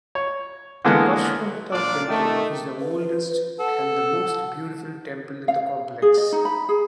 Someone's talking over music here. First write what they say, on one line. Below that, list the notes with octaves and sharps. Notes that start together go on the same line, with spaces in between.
The Parshvanatha temple is the oldest and the most beautiful temple in the complex.
C#5
D3 E3 G#3 A#3 B3
A#2 D4 F4 D5
D#3 A3
B4
A4 F#5
F5
G#4
D#5
D#4
B5
G#4